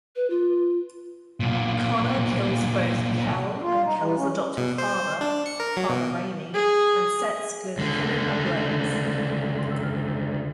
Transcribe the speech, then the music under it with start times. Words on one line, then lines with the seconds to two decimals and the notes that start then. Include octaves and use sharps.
Connor kills both Kell and Kell's adopted father, Father Rainey, and sets Glenfinnan ablaze.
0.16 B4
0.30 F4
1.40 B1 A#2
3.62 F4
3.84 D#4
4.01 E3
4.17 C#4
4.57 B2
4.78 C5
5.21 D4
5.46 C#7
5.60 A#4
5.77 F#3
5.90 B2
6.54 G#4
7.78 C#2 D3